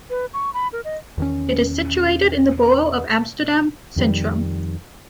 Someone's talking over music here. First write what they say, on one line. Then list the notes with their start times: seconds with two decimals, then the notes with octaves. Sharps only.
It is situated in the borough of Amsterdam-Centrum.
0.10 B4
0.34 C#6
0.54 B5
0.73 A#4
0.84 D#5
1.18 E2 D#3 C#4
3.96 F2 D#3 G3